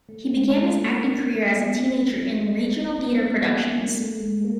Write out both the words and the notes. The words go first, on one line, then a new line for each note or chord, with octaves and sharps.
He began his acting career as a teenager in regional theater productions.
A3
G#3
A3
A#3
A#3
A#3
B3
C4
B3
A#3
A#3
A#3
A3
G#3
A#3